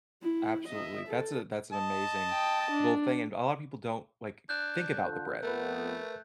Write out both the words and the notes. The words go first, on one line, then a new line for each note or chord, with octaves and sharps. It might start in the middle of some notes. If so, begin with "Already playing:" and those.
Absolutely, that's a that's an amazing little thing, and a lotta people don't, like, think about the bread,
E4
D#5 E5
A4
D#5 A5
G5
D4
D4 F#6 G6
D3 F4 A4
F2 A3 B3 A#4 B4